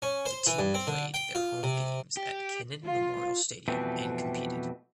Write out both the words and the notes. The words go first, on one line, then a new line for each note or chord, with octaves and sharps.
The team played their home games at Kenan Memorial Stadium and competed.
C#4
C5
E3
G2
C4
D3
G5
F4
C3
G4
F4
F2 B2 E3 G3 A3 C4